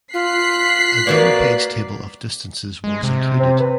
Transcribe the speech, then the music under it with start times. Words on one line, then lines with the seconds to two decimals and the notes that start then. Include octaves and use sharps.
A double page table of distances was included.
0.14 F4 F#6 B6 C7
1.07 A#3 F#4 A#4 B4 D5
2.84 G#3
3.03 C3
3.40 C4
3.60 B4